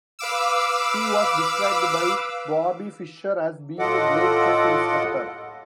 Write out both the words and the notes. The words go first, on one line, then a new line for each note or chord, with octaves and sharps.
He was described by Bobby Fischer as being a great chess instructor.
B4 F5 D6 E6
A2 F4 A4 D#5 F#5 D6